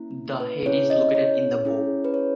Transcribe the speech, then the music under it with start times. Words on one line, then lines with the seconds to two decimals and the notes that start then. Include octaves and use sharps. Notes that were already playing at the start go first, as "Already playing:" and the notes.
The head is located in the bow.
Already playing: A#3 C#4 E4
0.40 B4
0.66 C#4 E4 G#4 C#5
0.90 D#5
1.15 C#5
1.65 C#4 E4 G#4
2.04 B4
2.14 C#5